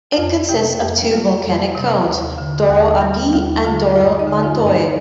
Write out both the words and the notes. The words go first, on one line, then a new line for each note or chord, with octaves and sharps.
It consists of two volcanic cones, Doro Api and Doro Mantoi.
F2 F4 F5
C3 G4 G5
F2 G4 G5
G3 F4 F5
F2
C3
D#2
D3
D#2
G3 G4 G5
D#2 F4 F5
D3 F4 F5
G2 F4 F5
D#4 D#5
D3
F4 F5
G2
D#4 D#5